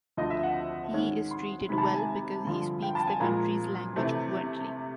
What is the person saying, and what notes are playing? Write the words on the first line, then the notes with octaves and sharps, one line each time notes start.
He is treated well because he speaks the country’s language fluently.
D2 D3 F3 A3 D#5
E5
F#5
G#2 D#3 G#3 C#4
C6
C3 D#3 G#3 B5
A5
A#5
G#5
G2 D3 F3
G5
A5
G#5
A#2 F3 G#3 A#5
C3 E3 A3 C4